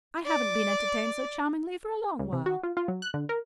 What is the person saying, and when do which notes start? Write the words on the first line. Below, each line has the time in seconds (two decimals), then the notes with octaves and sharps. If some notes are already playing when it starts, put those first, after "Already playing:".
I haven't been entertained so charmingly for a long while.
0.25 D5
2.19 C#2
2.33 C3
2.46 F#4
2.63 F4
2.77 F4
2.88 F#3
3.02 F#6
3.14 D3
3.29 A#4